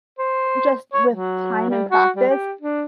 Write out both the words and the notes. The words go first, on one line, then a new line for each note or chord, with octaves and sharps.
just, with time and practice
C5
C#5
F#3
G3
F#4
G3
G4
D4